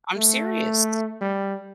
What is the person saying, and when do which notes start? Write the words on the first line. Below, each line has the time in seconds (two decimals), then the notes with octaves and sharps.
I'm serious.
0.17 A3
1.21 G3